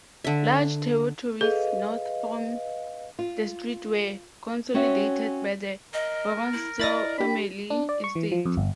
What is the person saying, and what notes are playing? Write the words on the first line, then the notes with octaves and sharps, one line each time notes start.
Large territories north from the street were consolidated by the Vorontsov family estate.
D3 E5
G#4 A4 B4 D#5 F5
F4
C4 C#4 F#4 E5
A#4 D#5
E4
E4 D5 D#5 B5 A6 A#6
D4 G4 B5
D4
D5
C#6
E3
F3
F2
G1